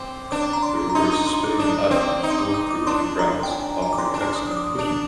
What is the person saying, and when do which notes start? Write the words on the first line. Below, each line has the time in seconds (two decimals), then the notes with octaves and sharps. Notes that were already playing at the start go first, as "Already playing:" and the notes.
The rivers Spey and Avon flow through the grounds, offering excellent fishing.
Already playing: C4 C6 D6
0.31 D4 D6
0.53 A#5
0.63 C6
0.89 A#5
0.95 D#4 C6
1.12 A#5
1.27 C6
1.44 D6
1.58 D4 D#6
1.91 C4 D6
2.23 D#4
2.30 C6
2.38 D6
2.54 D#6
2.71 D6
2.87 D4 C6
3.19 A#5
3.43 G5
3.50 G#5
3.82 A#5
3.93 D6
3.98 C6
4.14 D4 D6
4.35 D#6
4.51 D#6
4.57 D6
4.78 D4 D6